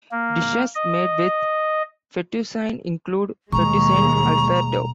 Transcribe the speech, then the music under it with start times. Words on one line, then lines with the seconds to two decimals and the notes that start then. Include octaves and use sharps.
Dishes made with fettuccine include Fettuccine Alfredo.
0.12 A#3
0.75 D#5
3.52 D#2 B2 G3 G#3 A#5 C#6